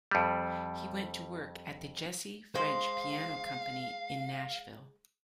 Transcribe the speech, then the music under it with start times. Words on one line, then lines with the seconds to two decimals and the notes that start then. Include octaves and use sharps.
He went to work at the Jesse French Piano Company in Nashville.
0.11 F2 G3
2.55 G#3 C5 F5